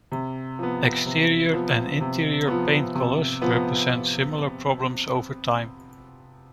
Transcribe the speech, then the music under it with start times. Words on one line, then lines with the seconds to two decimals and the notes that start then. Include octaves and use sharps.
Exterior and interior paint colors present similar problems over time.
0.12 C3
0.59 F3 B3
1.06 C3
1.53 F3 B3
2.01 C3
2.47 F3 B3
2.95 C3
3.41 F3 B3